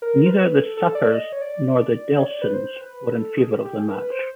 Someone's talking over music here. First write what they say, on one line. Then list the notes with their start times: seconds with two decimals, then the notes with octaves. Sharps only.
Neither the Sapirs nor the Delsons were in favor of the match.
0.02 A#4
0.26 C5
0.30 B4
0.58 A4
0.77 A4
0.95 D5
1.14 D#5
1.32 C#5
1.42 D5
2.18 C#5
2.26 D5
2.42 B4
2.53 C5
2.81 B4
3.09 A4
3.37 G#4
3.51 G4
3.65 G4
3.79 G#4
3.89 A#4
3.93 B4
4.11 C5